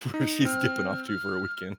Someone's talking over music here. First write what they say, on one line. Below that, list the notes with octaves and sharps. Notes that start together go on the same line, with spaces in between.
who she's skipping off to for a weekend.
D#4
C4 F6
F6